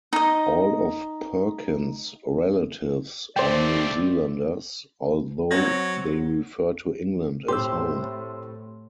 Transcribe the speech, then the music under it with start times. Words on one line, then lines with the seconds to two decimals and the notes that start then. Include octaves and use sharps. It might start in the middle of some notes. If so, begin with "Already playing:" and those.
All of Perkins' relatives are New Zealanders, although they refer to England as home.
0.13 D#4 D#5
3.36 A3 C4 C5 D5 G5
5.51 F#3 C4 C#5 A#6
7.48 A2 C4 G4 C6 E6